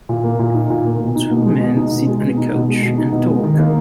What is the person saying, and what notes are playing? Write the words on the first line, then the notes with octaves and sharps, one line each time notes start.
Two men sit on a couch and talk.
A#2
A#3
A#2
D#4
A#2
A#3
B2
D#4
B2
G#3
B2
D#4
B2
G#3
B2
D#4
B2
G#3
B2
D#4
B2
G#3
D#3
A#3